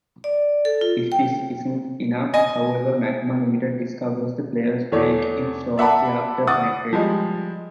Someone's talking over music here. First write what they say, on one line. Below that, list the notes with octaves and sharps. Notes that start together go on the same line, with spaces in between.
If this isn't enough, however, Magma Limited discovers the player's break-in shortly after penetration.
D5
A4
F4
G5
D#5 G#5
E2 A3 C#5 D5
D5 E5 F#5 A5 B5
F#5 D6 D#6 A6
F3 G3 G#3